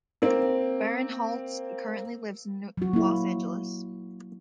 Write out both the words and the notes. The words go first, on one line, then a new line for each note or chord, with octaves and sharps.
Barinholtz currently lives in Los Angeles.
A#3 C4
F#3 F#4
A#3 E4